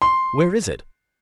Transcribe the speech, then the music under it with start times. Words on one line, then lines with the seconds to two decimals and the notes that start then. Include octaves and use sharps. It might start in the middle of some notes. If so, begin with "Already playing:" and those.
"Where is it?"
0.02 C6